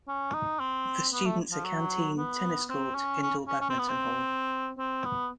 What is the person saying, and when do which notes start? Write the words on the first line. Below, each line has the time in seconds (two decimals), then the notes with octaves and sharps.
The students a canteen, tennis court, indoor badminton hall.
0.09 C#4
0.34 D#4
0.60 C4
1.13 B3
1.26 A3
1.51 F3
1.65 F#3
2.18 B3
2.70 C4
2.95 C#4
3.22 C#4
3.48 C#4
3.61 C#4
3.70 C4
3.79 B3
3.89 C4
4.79 C4
5.05 B3